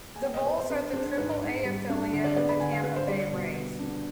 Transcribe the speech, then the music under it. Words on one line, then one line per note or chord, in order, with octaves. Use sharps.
The Bulls are the Triple-A affiliate of the Tampa Bay Rays.
G#5
B3 G5
D#5
B3 C5
C5
D4 B4
D4 C5
G#2 B4
G#2
G3
D4
D3
D5
B3 D5
B5
D3 G#5
F5
D3 B4
C5
G3 D5
B2
B3
D4